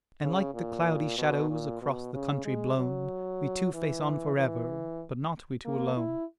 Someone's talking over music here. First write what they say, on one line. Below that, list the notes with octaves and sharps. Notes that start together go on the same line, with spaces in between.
And like the cloudy shadows Across the country blown We two face on for ever, But not we two alone.
C#3
A#2
B2
A#2
B2
C#3
G#3
F#3
E3
E3
A#3
E4